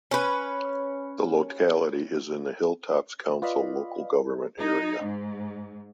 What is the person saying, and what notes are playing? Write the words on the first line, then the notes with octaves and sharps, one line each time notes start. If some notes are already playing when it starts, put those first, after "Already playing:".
The locality is in the Hilltops Council local government area.
C#4 B4
F4 B4 D5 D#5 F5 B5
D#4
G#2